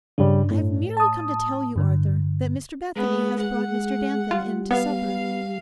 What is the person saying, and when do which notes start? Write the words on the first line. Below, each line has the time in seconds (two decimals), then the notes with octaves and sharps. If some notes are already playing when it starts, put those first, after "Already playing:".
'I have merely come to tell you, Arthur, that Mr Bethany has brought Mr Danton in to supper.
0.18 G2 C#3 G3 D4
0.51 A2
0.97 A5 D#6
1.76 G2 D3
2.96 G#3 B3
3.40 F#5
4.31 G3 F4
4.71 B3 F5